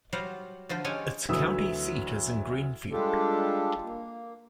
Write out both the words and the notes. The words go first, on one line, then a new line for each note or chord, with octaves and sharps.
Its county seat is Greenfield.
F#3 G3 F4 C5 F5 F#5
D3 F3 F4 C5
G#3 C#4 G4 C#5 G#5
D2 E3 F#3 E5 D#6 E6
G3 G#3 D4 F4 G4 A4
A#3